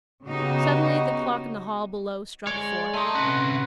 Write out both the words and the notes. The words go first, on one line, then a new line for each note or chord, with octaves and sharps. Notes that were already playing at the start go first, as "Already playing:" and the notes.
Suddenly the clock in the hall below struck four.
C#3 B3 D#4 F#4 G4
G#3 C#5 D5
A3 D#4 D#5 G#5 C6
C3 C#4 F#4 B4